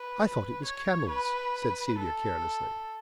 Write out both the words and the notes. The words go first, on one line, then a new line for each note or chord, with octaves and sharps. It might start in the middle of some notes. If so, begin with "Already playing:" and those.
"I thought it was 'camels,'" said Celia carelessly.
Already playing: B4
C#5
B4
A4